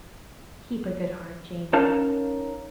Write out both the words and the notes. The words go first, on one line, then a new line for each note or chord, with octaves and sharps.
'Keep a good heart, Jane.
C#4 D#4 A#4 F5 A5